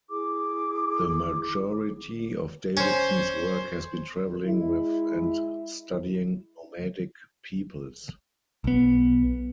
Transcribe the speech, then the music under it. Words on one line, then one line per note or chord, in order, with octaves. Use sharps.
The majority of Davidson's work has been travelling with and studying nomadic peoples.
E4 G#4 D6
C#4 C5
G#3 E4
B1 B3